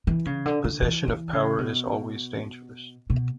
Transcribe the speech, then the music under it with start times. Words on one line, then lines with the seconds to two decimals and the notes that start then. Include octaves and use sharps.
The possession of power is always dangerous.
0.07 E3
0.26 C#3
0.45 D3
0.64 D3
0.82 E3
1.08 E3
1.33 C#3
1.58 B2
3.10 B2